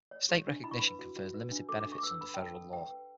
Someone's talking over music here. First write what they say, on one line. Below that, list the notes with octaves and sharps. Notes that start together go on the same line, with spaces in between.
State recognition confers limited benefits under federal law.
C#5
G4
D4
E4 B5
C#6
B4 B5
F#4
F#4
B4
D4
A4 D6
D6
D4
C#6
D6
B4 E6
B4 B5
G5
A4 A5
A4
B4 G5
B4